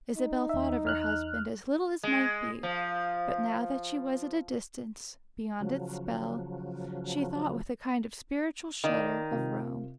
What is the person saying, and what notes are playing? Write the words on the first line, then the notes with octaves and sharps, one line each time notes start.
Isabel thought of her husband as little as might be; but now that she was at a distance, beyond its spell, she thought with a kind of spiritual shudder of Rome.
D#4
D#2 E5
E2 F6 F#6
G#3
F3
C#3 F3 F#3
D#3 D5 D#5 F5
C3 F4 A#4